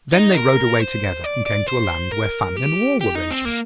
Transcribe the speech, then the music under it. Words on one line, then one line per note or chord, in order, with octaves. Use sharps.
Then they rode away together, and came to a land where famine and war were raging.
D#4
A#4
C5
D5
D5
C5
A#4
G4
G4
D#4
C4
A#3